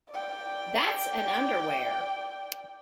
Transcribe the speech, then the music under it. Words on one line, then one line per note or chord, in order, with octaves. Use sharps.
That's an underwear.
D5 G5